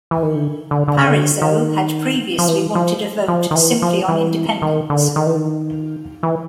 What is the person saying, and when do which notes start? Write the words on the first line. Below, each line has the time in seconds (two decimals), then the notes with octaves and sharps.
Parizeau had previously wanted a vote simply on independence.
0.11 E3
0.23 D#3
0.35 D3
0.71 D3
0.88 D3
0.98 C#3
1.07 D3
1.42 D#3
2.38 F3
2.48 E3
2.75 F3
3.28 F3
3.51 D#3
3.55 E3
3.82 F3
4.08 E3
4.62 D#3
4.90 D3
5.16 D#3
5.26 E3
5.35 D#3
6.23 E3